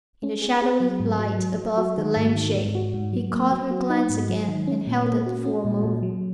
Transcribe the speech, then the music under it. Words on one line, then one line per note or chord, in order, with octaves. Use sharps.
In the shadowy light above the lampshade he caught her glance again and held it for a moment.
C#4
G#4
G#4
F#3
G#2
F#3
F#3
F#3
F#4
D#3
G#2
D#3
G#2
F#4
G#2
F#3
A#3
F#3
F#4
D#4
G#2
F#3
D#3
C#4
A#2
A#3
F#4
C#4
A#2
A#2
F#3